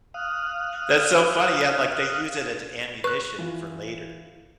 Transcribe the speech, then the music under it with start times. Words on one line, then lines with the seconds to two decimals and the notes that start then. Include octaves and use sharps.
That's so funny. Yeah, like, they use it at ammunition for later.
0.14 F5 D#6 F6 F#6
3.04 B4 C#6 F#6
3.38 E3 F4